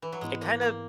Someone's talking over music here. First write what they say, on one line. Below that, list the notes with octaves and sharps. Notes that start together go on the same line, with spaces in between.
It kinda
E3
F#3
G#2 E3 G#3 B3 E4
A#3
A#3